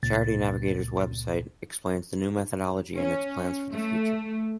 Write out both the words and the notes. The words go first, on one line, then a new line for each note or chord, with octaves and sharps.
Charity Navigator's website explains the new methodology and its plans for the future.
C#2 A#2 A6
C#4
A3